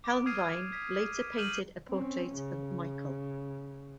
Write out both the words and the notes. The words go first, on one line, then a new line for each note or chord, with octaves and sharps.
Helnwein later painted a portrait of Michael.
D6 D7
D#6 F6 G#6 C7 D#7 F7
G#6 B6
D#6 F6 G6 D#7 F#7
C4 C#4
C#3